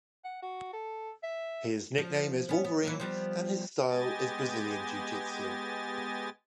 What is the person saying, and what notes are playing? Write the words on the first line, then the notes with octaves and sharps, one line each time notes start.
His nickname is Wolverine and his style is Brazilian Jiu-Jitsu.
F#5
F#4
A4
E5
F3
B3 C#4
B3
E3 F#3 A#3
F3 G3 B3
G#3 B3 G4 D#5 G#5 A6